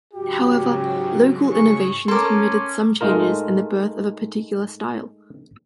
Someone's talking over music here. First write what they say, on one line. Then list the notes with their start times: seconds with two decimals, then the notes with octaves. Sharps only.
However, local innovations permitted some changes and the birth of a particular style.
0.13 G#2 C#3 F#3 F#4 G4
1.52 G#4 C#6
2.08 C#4 A4 A#4 C6 D6
3.01 G#3 A3 D#4 F4 A#4